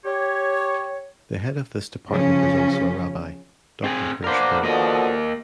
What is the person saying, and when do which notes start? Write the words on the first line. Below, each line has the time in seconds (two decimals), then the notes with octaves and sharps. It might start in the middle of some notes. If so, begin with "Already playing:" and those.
The head of this Department is also a Rabbi, Doctor Hirschberg.
0.05 G4 C#5
2.10 C#3 F3 C#4
3.84 C4 G#4
4.24 A#3 B3 D4 A#4 C5
4.63 B2 D3 F3 A#3 D#5